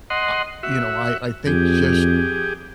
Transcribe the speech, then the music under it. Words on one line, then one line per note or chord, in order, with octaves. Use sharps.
Ah you know, I I think just
D#5 F#5 C6
F#4 E5
F2 G4 G#4